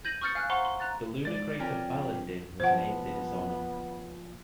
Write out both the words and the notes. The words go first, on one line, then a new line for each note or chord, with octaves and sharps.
The lunar crater Balandin was named in his honour.
G6 G#6 A#6 D#7 F#7
C#6 D#6 F6 G6 A6 C#7
F5 G#5 F6 F#6
C5 F5 F#5 A#5 C6 C#6
C6
A#5 F#6 A6
G#2 D5 A6
F2 C#4 G4 A#4
A#2 F3 B3 C5 F#5